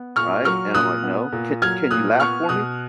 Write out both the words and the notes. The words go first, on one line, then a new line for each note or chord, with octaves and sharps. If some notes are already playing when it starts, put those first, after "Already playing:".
right? And I'm like, no, ca can you laugh for me?
Already playing: B3
A#2 C#6 F6
F#3 C#6 F6
A#2 D#6 F#6
B3
A#2
F#3 F6 G#6
A#2 D#6 F#6
B3 C#6 F6
B2 D#6 F#6